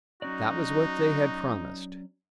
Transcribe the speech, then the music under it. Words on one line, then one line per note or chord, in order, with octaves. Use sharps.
That was what they had promised.
F#3 C#4 D#4 F#4 D5